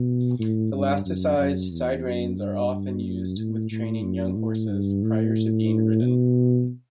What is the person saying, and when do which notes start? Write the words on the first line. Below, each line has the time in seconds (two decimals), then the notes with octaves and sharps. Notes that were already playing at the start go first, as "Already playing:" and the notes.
Elasticized side reins are often used with training young horses prior to being ridden.
Already playing: B2
0.39 A2
0.73 G2
1.05 F#2
1.38 F#2
1.71 E2
2.05 F#2
2.38 G2
3.04 F#2
3.37 A2
3.71 A2
4.04 F#2
4.36 A2
4.69 G2
5.03 A2
6.02 B2